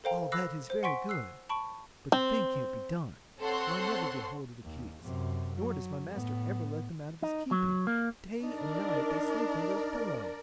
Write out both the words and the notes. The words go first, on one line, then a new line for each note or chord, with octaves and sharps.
"All that is very good; but the thing can't be done, for I never get hold of the keys, nor does my master ever let them out of his keeping; day and night they sleep under his pillow."
A4 A#4 C5 F5 G5 A#5
B5 D6 E6 F#6 A#6 C7
C5
F#5 G#5 C6 C#6 B6 D7
E6 F#6 C7
A5 B5 C#6 D7
C4
C4 A4 C5 C#5 F#5 C6
D#2
F#2 C3
F#3
A2 B3
D#4
F#3
A#3
D4 D#4 A#4 D5